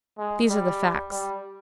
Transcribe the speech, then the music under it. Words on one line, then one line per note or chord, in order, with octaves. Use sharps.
These are the facts.
G#3
G3
G3